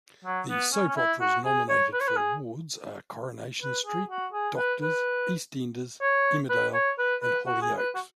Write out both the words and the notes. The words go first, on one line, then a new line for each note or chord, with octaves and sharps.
The soap operas nominated for awards are "Coronation Street", "Doctors", "EastEnders", "Emmerdale" and "Hollyoaks".
F#3
B3
C#4
C#4
E4
F#4
G#4
C#5
B4
C#5
B4
G#4
B4
G#4
F#4
G#4
B4
B4
C#5
B4
C#5
B4
B4
F#4
G#4
B4
F#4